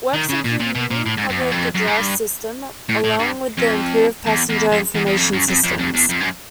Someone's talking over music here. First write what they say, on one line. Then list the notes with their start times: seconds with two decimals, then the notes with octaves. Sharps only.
Works included a new public address system along with improved passenger information systems.
0.14 D#3
0.30 C#3
0.45 A#2
0.60 A#2
0.75 B2
0.91 A#2
1.06 A2
1.18 G#2
1.29 F#2
1.40 E2
1.52 F2
1.75 F#2
1.88 G#2
1.97 G2
2.89 A2
3.04 A2
3.20 G2
3.58 F2
4.26 E2
4.49 E2
4.72 F2
4.95 E2
5.07 E2
5.18 F2
5.33 F#2
5.48 F2
5.64 F2
5.79 F2
5.94 E2
6.10 F2
6.21 F#2